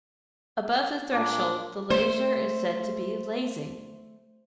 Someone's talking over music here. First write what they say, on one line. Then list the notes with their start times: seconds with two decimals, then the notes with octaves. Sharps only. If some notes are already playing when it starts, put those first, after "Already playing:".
Above the threshold, the laser is said to be "lasing".
1.13 A#2 D4
1.90 A3 C5